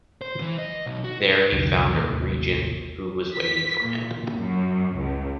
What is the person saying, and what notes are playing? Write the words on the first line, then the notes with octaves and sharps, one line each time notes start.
There he found the regent who was waiting for him.
C5
E3
D#5
B1
F#4
C2 F2 D3 G3
A1 D#2 C3 A#3
B6
A#2
F#2
C#2